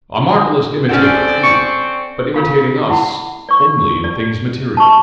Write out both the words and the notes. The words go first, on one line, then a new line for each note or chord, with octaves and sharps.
A marvellous imitator truly, but imitating us only in things material.
C4 C#4 A4 D5 F#5
C#6
F4 A4 F5 B5
E4 F#5 B5
D5 C#6
D5
A5 C#6